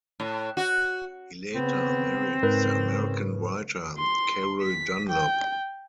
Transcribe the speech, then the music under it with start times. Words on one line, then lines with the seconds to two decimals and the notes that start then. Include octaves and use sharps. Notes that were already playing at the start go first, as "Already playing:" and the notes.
He later married the American writer Carol Dunlop.
0.20 A2
0.57 F#4
1.55 C#3 B3 C4
2.43 G#2 C#3 A#4 B4
3.98 C6
4.62 B6
5.09 G5